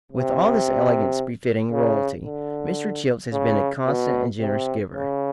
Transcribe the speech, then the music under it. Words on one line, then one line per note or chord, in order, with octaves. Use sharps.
With all this elegance, befitting royalty, Mr. Childs has been a constant and generous giver.
C3
C#3
D3
C#3
B2
C3
C#3